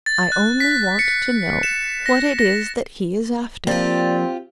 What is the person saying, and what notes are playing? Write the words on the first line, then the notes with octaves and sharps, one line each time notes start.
I only want to know what it is that he is after.
A6
F#6
B6
C#7
E7
A#6
A#6
F3 A#3 C4 F4 G4 D5